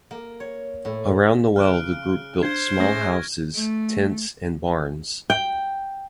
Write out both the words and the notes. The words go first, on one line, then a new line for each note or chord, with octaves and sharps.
Around the well the group built small houses, tents, and barns.
A#3
C#5
A2
C#3 F6 F#6 D7
D4 C5 G#6
A3 C#4 G#4 E5 C#6 A#6
A3
G5